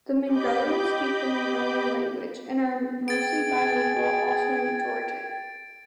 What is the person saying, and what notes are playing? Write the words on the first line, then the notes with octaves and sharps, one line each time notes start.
The Mingrelians speak the Mingrelian language, and are mostly bilingual also in Georgian.
G4 D#5 B5 D6 G6
G#4 G5 G#6 A6 D7